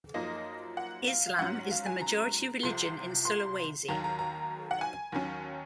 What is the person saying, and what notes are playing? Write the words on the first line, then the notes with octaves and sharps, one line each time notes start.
Islam is the majority religion in Sulawesi.
F#2 F3 A#3 D#4 D#5
F#5
F5
F5
G#2 F#3 C#4 F#5
F5
G#5
A#5
C2 C3 F3 C6
C6
D#2 D#3 F#3 A#5
A#5
A#5
F#5
G#5
D#2 D#3 F#3 C#4